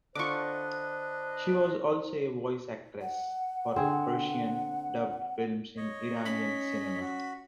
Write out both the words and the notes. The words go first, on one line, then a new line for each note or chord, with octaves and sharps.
She was also a voice actress for Persian-dubbed films in Iranian cinema.
D3 D4 F4 B4 C5 D#5 C#6 D6
F#5
D3 C4 G#4
C#5 D#5
C#4 B6
F#4